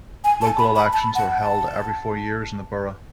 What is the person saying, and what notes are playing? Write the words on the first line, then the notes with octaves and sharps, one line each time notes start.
Local elections are held every four years in the borough.
G#5
A5
B5
B5
A5
F#5
A5